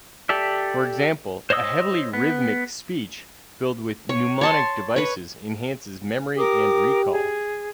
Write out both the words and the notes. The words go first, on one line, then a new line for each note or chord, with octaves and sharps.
For example, a heavily rhythmic speech filled with mnemonic devices enhances memory and recall.
G4 A4 D5 E5
C5 C#5 D#5 D#6 E6
B3
C#5
C#5 A5 C6
B4 C#5
G4 A#4 D6 D#6
G#4